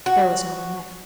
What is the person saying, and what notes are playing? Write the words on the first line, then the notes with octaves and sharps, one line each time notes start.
There was no one there.
F#4